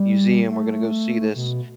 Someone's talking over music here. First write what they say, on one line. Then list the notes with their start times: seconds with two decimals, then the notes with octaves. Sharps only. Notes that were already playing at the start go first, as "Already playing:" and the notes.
museum, we're gonna go see this,
Already playing: G3
0.49 A3
1.36 B2